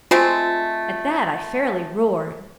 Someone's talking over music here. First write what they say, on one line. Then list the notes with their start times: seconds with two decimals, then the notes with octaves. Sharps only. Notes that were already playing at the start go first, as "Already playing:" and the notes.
At that I fairly roared.
0.11 G#3 A3 C4 F4